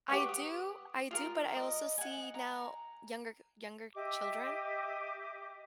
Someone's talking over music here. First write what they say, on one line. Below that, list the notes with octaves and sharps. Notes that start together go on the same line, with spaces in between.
I do. I do, but I also see now younger g younger children,
G4 B4 F#5 C#6
D#6
F4 G#4 A#4
D#5
F#5 G#5
A#5
G4 D#5 E5 D6